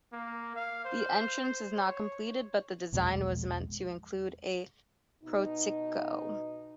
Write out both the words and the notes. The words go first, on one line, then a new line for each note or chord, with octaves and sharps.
The entrance is not completed, but the design was meant to include a portico.
A#3
F5
C5
C#5
A#1 E2 B2 G#3
B2 D#4